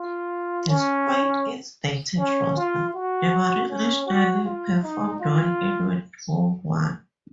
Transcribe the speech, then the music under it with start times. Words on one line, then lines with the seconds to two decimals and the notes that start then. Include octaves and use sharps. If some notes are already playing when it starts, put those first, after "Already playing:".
Despite its dated roster, the Marine Nationale performed well in World War One.
Already playing: F4
0.68 C#4
2.18 C#4
2.56 F4
2.94 F#4
3.70 C#4
4.06 F#4
4.44 F4
4.83 D#4
5.19 F4